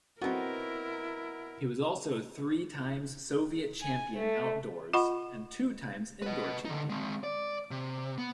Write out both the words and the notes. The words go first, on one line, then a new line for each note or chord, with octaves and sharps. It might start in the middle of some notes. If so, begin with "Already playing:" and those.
He was also three times Soviet champion outdoors, and two times indoor champion.
B3 C4 D#4 E4 F#4 A#4
G#5
A3
F4 D#5 F#5 B5 C#6
B4 D#5
D3 D#4
G#3 C4
D5
C3
B3